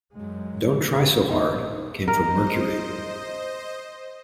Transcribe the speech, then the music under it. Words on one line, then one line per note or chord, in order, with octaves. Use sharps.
"Don't Try So Hard" came from Mercury.
F#2 G#3
D#4
A#4 C5 D#5